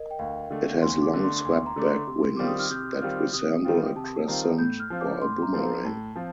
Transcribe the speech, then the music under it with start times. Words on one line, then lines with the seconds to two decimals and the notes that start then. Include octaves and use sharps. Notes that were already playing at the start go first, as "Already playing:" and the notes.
It has long swept-back wings that resemble a crescent or a boomerang.
Already playing: A#4 D#5
0.11 G5
0.19 D2 F5
0.50 D3 A3
0.82 D2 C6
1.02 D6
1.14 D3 A3
1.24 C6
1.45 D2 C6
1.66 A#5
1.76 D3 A3 D6
1.86 C6
2.07 C3
2.37 D#3 G3 C4 F4 D6
2.47 D#6
2.59 F6
2.71 C3 G6
3.02 D#3 G3 C4 F4 F6
3.33 C3 D#6
3.65 D#3 G3 C4 F4 G5
3.96 C3 A5
4.28 D#3 G3 C4 F4 A#5
4.58 A2 G6
4.80 F6
4.90 F3 C4 F4
5.01 D6
5.21 A2 C6
5.42 A#5
5.53 F3 C4 F4
5.63 A#5
5.84 A2 A5
6.16 F3 C4 F4